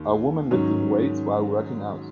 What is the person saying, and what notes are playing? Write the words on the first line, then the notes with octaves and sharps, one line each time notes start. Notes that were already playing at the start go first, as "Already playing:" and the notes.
A woman lifting weights while working out.
Already playing: D#2
G#2 D#3 F#3 C#4